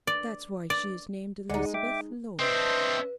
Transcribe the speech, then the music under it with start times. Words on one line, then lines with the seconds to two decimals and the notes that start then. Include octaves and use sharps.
That's why she is named Elizabeth Lloyd.
0.07 D5
0.70 D5
1.50 D2 G#3 D#4 D5 F#5
1.74 E5 G5 D6
2.39 C4 D4 B4 C5 D#5 E5